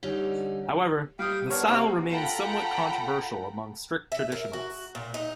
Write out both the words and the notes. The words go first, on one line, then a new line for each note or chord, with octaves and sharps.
However, the style remains somewhat controversial among strict traditionalists.
D3 G3 C#4 D#4
G3 F5 G5 D#6
B3 D4 A#4 C#5
C3 A#3 C4 F#4
F4 A4 F#5 G5 A#5 B5
E5
A#4
F#4
A#2
D#4